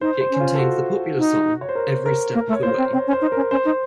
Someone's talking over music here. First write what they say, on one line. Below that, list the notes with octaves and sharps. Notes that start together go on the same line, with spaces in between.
It contains the popular song "Every Step of the Way".
D#4 C5
C5
C#4
F4
A4
F#4
D#4
C#5
C5
A#4
A#4
A#3 A#4
A3
C#5
A#3 C5
C4
C4 C#5
C#4
C5
D#4
C#4 A#4
C#4 C5
D#4